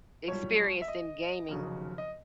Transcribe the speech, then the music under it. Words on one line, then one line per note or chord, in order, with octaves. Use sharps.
experienced in gaming
B1 A#2 G3 C#5
E5
D#5
F1 D#2 C#3 F#3
D#5